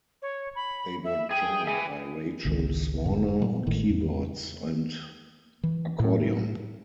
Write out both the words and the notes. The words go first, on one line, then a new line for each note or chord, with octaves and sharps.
They were joined by Rachel Swaner on keyboards and accordion.
C#5
B5
E5
G#4 G5
G#4 E5 G#5
G#1 C#2 D#3
F1 G#2 D3
A#2 F#3 G3
G#1 A2 D#3
E2
E3
A2